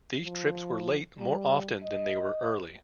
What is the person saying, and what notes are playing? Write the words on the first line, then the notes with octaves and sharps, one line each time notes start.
These trips were late more often than they were early.
F3
G3
D#5